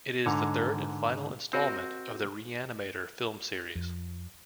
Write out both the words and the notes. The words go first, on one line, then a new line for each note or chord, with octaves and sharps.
It is the third and final installment of the "Re-Animator" film series.
G#2 D3 C#5 A#5
C4 F#4 A#4 D#5
F2